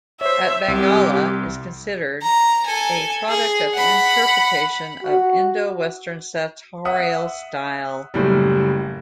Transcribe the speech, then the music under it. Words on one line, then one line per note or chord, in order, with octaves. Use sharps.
A Bandgala is considered a product of interpretation of Indo-Western sartorial style.
C5 C#5 E5
C2 G4
A#5
A4 G#5
G#4
F#5 B5
F#4
E5 F#5 D#6
F#1 A2 G3